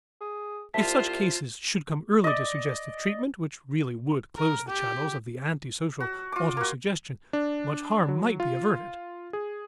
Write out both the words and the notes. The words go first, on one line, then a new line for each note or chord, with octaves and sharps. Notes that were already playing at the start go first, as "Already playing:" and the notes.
If such cases should come early to suggestive treatment which really would close the channels of the antisocial autosuggestion, much harm might be averted.
G#4
C2 F4 C5 E5 A5 B6
D5 D#5
A#4
G4
F#4
F4 D6
A#3 F#4
D4
F#3
F4
G#4